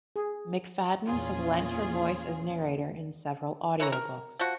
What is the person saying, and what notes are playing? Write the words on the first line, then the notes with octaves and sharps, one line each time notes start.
McFadden has lent her voice as narrator in several audio books.
G#4
E2 A#2 C#4 F4 G#4
E3 C#5 A#5
A#4
F3 F#4